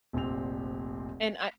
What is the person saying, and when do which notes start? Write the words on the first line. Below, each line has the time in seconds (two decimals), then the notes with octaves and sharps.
And I
0.13 F1 A#1 A#2 C4 F7